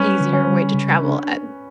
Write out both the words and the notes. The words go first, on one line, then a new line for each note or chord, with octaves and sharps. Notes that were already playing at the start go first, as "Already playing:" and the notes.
easier way to travel at
Already playing: G3 B3 C#4 B4
D3
C#4
G3
C#3
D4